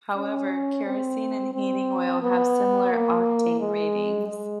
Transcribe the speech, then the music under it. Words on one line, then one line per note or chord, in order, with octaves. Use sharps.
However, kerosene and heating oil have similar octane ratings.
C#4
C4
C4
B3
A#3
G#3
G#3